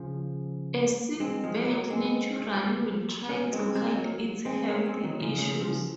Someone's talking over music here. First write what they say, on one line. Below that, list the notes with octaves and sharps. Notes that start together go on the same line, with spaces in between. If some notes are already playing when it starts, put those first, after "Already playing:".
A sick bird naturally will try to hide its health issues.
Already playing: C#3 F3
G#3 C4
F3 G#3
F#3 A#3
G#3 C4
A#3 C#4
G#3 C4
G#3 C4
F#3 A#3
G#3 C4
A#3 C#4
G#3 C4
D#3 F#3
C#3 F3
C#3 F3
C#3 F3